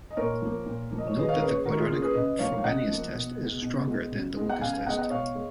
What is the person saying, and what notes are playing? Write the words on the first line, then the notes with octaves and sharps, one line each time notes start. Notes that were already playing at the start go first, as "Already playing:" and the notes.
Note that the quadratic Frobenius test is stronger than the Lucas test.
D#5
A#2 A#4 C#5
F3 A#3
A#2
F3 A#3
D#5
C#5
D#3 G#4 B4
D#5
C#5 F5
A#4
A#3 C#4 G#4 B4
C#5
G#4 B4
D#3 F#4 A#4
F4 G#4
A#3 C#4 F4 G#4
G#4 B4
C#3 B4 D#5
F3 A#3 C#5 F5
F5
C#3 D#5 F#5
F3 A#3
B2
G#3 B3
B2
G#3 B3
C#3
G#3
B3
F#5
C#3 F5 G#5
F5 G#5
G#3 B3 D#5 F#5
D#5 F#5
B2 C#5 F5
G#3